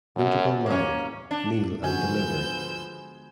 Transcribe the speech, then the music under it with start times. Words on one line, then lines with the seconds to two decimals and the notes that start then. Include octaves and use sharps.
Notable line: Kneel and deliver!
0.16 F#2
0.66 A#3 C#4
1.31 D4
1.84 D3 F3 G#3 B3 F#4 G#5 E6 G6